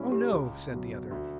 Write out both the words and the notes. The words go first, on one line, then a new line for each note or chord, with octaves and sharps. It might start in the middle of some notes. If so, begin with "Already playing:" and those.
"Oh no," said the other.
Already playing: A#2 G3 C#4 E4
G4
C#2
B2 F#3
D2